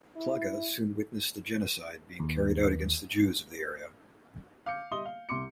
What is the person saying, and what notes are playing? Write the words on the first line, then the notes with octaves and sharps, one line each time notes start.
Plagge soon witnessed the genocide being carried out against the Jews of the area.
E4
D#2
F5 D6 G6 C#7
G3 D#5 E5 C6 D#6 G7
F5
C2 C6 D6 C#7